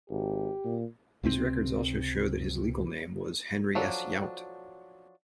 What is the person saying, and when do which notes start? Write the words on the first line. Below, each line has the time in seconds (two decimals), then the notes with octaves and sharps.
These records also show that his legal name was Henry S. Yount.
0.10 G#1 G4
0.65 A#2
1.23 C#2 C3 E3 C4
3.75 F3 F#3 D4 A4